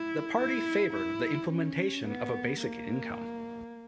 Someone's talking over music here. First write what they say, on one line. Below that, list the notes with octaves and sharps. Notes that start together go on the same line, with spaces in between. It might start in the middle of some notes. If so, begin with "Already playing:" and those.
The party favoured the implementation of a basic income.
Already playing: E4
E4
E4
C#4
B3
A#3